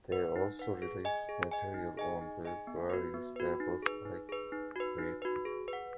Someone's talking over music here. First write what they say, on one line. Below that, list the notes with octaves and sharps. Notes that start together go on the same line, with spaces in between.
They also released material on the various labels Ike created.
B4 F#5
D#4
B4 F#5
G#4
D#5 G#5
G#4
D#5 G#5
D#4
G#4 D#5 G#5
D#4
G#4 D#5 G#5
B3
F#4 B4
B3
F#4 B4
D#4
G#4 B4
D#4
G#4 B4
D#4
F#4 B4
D#4
F#4 B4
G#4
B4
F#5